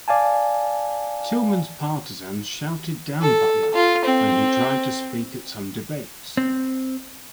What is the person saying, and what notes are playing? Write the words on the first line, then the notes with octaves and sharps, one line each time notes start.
Tillman's partisans shouted down Butler when he tried to speak at some debates.
D5 F5 G#5 A5
A4
F4
C4
C4